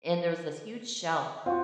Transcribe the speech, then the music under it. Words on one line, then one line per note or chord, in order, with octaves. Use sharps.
And there was this huge shelf
C4 F4 F#4